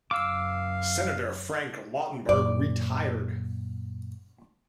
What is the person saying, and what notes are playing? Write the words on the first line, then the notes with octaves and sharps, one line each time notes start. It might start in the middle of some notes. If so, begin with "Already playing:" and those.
Senator Frank Lautenberg retired.
F#1 F#2 F5 D6 E6
F#2 A#2 D5